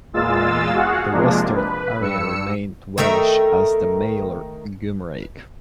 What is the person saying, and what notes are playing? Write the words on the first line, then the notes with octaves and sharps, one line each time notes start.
The western area remained Welsh as the Maelor Gymraeg.
E2 A#2 G#3 F4 E6 A6
F#4 G#4 F5 F#5
C3 F3 G#3 A#3 D4
B4
G2 E6 C#7
D#3 A3 A#4 E5